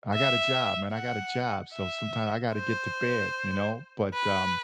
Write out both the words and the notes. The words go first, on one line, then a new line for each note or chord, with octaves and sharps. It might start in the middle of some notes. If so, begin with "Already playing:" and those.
I got a job, man, I got a job, so, sometimes I gotta get to bed, you know? But, um
E5
F#5
E5
C5
B4